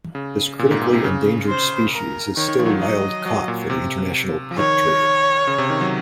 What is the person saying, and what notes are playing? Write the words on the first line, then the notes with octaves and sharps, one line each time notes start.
This critically endangered species is still wild-caught for the international pet trade.
C#3
A#2
G#2
A#2
C3
C#3
C5
A#4
D#3 C#5
D#3
F3
F#3
F3
F#3 D#5
F#3
A#2
C3
F3
D#3 C#5
C#3
C3
D#3
F#3